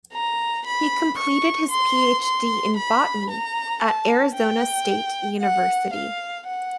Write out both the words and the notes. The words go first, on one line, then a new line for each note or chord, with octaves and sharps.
He completed his Ph.D. in Botany at Arizona State University.
A#5
B5
C#6
C6
C6
B5
A#5
A5
G5
F#5
F5
F#5